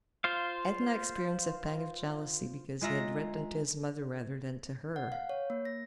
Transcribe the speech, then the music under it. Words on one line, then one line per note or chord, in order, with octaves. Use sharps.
Edna experienced a pang of jealousy because he had written to his mother rather than to her.
F4 C5 F5
G#3 F4 E5 A#5 A#6
F#5
F5
C#5
A#3
A#6